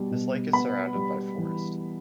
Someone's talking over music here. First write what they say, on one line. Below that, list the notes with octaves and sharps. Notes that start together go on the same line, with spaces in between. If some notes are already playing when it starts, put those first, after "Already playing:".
This lake is surrounded by forest.
Already playing: B2 G3
B2
B3 B5
G3
E3